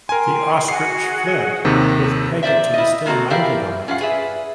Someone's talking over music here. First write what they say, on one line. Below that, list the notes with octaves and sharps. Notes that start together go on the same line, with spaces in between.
The ostrich fled with Peggotty still mounted on it.
A#4 G5 G#5 C6
F#4 G#4 F#5 C7
D#2 C3 D#3
A#2 C5 D5 E5
E4 F4 D#5
G#3 A#3 C4 F#4 A4
E3 E4 G4 A#4 D5 F5
C#4 F4 F5 F#5
G#4 B4 D5 E5